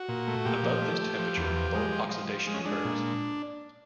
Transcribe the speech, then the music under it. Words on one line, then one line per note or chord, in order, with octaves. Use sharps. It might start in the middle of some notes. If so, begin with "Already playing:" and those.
Above this temperature bulk oxidation occurs.
Already playing: F#4
A#2
A3
A#2 G4
F3
A3
A3
F3
E2
F3
G#3
F3
F3
F3
G#3
C#4
G#3 D4
A#2